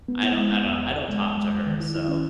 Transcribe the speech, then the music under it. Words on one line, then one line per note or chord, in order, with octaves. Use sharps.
I don't I don't I don't talk to her, so
B3
E4
G#3
B3
E2
E2
E2
G#3
E2
G#3
E2
D#3
E4
E4
C#4